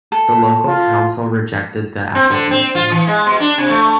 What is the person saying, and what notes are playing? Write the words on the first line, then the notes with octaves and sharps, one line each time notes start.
The local council rejected the application.
A4
F4
C4
D3
C4
F4
E3
G#3
B2
D4
C3
A3